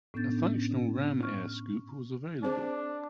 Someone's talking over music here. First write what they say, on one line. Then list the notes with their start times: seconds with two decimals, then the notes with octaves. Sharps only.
A functional Ram Air scoop was available.
0.14 A2 B3 C#4 D4 G6 A6
0.59 C#4
1.22 C#6 F6
2.43 C4 D4 G#4 C5